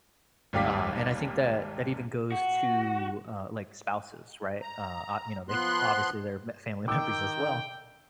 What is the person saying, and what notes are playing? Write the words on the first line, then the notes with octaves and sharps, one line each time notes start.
Uh, and I think that, that even goes to, uh, like, spouses, right? Uh, ah, you know, they obviously, they're m family members as well,
G#1 D#2 G3 F5 D6 B6
F#4
A#5
F3 B3 C6 F#6
D#3 G5 D6 E6